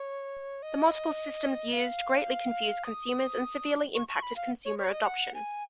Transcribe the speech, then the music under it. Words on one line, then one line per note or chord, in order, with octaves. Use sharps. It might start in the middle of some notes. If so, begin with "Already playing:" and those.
The multiple systems used greatly confused consumers and severely impacted consumer adoption.
Already playing: C#5
D#5
F5
D#6
C#6
C#6
B5
F5
C#5
C#5
D#5
F#5
G#5